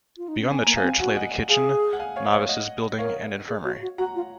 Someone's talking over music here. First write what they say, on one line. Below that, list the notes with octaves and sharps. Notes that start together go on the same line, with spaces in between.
Beyond the church lay the kitchen, novices' building and infirmary.
F4
D#4
C#4
C4 G#5
A#3 A#5
F5 G#5
C4
F#4 F#5
G#5
D#5 F#5
G#4 F5 G#5
F#5
F5 G#5
C#5 F5
C#5 F5
D#5 F#5
A#4 C#5 F5
G#4
F#4
F#4
F#4 F#5 A#5
F4